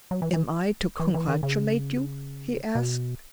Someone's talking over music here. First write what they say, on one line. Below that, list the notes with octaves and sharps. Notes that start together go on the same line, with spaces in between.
"Am I to congratulate you?" he asked.
F#3
E3
E3
E3
E3
D#3
C#3
B2